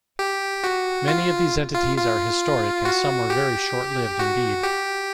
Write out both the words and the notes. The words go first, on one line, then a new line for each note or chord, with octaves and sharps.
Many of these entities are historic and some were very short-lived indeed.
G4
F#4
F4
F4
F4
F#4
G4
F#4
G4